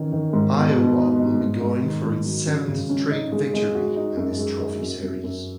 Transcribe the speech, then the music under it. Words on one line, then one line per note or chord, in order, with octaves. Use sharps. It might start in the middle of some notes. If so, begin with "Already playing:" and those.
Iowa will be going for its seventh straight victory in this trophy series.
Already playing: D#3 E3 C#4
D#3
G#2
B2
B2
D#4
D#4
G#2
G#2
D#3
G#2
F#3
C#4
C#3
C#4
D#4
G#3
G#3
F#4
D#4
F#2
G#3
D#4
F#2
F#2
F#2